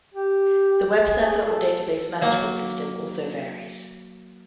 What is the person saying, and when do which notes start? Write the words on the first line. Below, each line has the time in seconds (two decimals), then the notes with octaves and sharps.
The web server or database management system also varies.
0.14 G4
1.00 G#4
1.19 G#4
1.44 A4
2.21 F#3 A#3